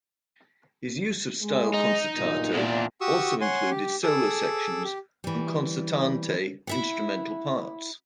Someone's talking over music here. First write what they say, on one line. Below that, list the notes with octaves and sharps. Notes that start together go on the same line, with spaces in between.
His use of "stile concertato" also included solo sections and concertante instrumental parts.
G#3
D#4
B1 G2 A#2
E2 A#2 D4
F#4 G4 C#6 D#6 E6
C#5 F#5 G#5 C6
G4
G#4 A4 D6 E6
G4
E3 G3
E4 E5 F#5